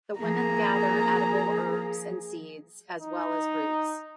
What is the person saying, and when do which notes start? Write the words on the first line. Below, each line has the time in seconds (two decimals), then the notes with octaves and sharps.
The women gather edible herbs and seeds as well as roots.
0.19 F3 A#3 G#4 A#5
3.02 D#4